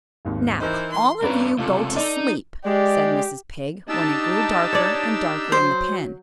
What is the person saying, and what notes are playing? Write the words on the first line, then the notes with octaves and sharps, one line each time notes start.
"Now all of you go to sleep," said Mrs. Pig, when it grew darker and darker in the pen.
G#1 D#2 G#2
E3 D#4 A#4 C5
C6
G2 C4 C#4 B4 D5 A#5
C#2 C3 F4 A4
D#4 D5
G#3 G4 D5
D4 D#4 G4 A5 E6
C#5 D5
F#3 C5